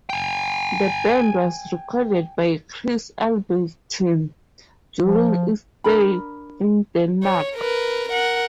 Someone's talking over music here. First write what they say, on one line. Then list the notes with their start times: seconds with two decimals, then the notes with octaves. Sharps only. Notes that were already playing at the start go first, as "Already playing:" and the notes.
The band was recorded by Chris Albertson during its stay in Denmark.
0.10 G5 G#5
5.03 F3
5.84 D4 A#4 A#5 B5
7.23 C#5
7.55 A#4 B4
8.09 A#4 F#5